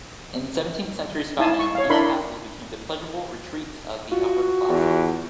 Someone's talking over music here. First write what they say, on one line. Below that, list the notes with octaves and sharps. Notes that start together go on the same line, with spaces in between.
In seventeenth century Scotland these castles became the pleasurable retreats of the upper-classes.
D#4 E4 F5 G#5 A5
C#6
C#5 F5
D4 E4 A#4 B5 C6
F4 F#4
E2